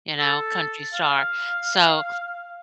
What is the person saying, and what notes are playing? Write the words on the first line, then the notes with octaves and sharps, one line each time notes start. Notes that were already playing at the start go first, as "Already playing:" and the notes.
you know, country star." So,
A4
F5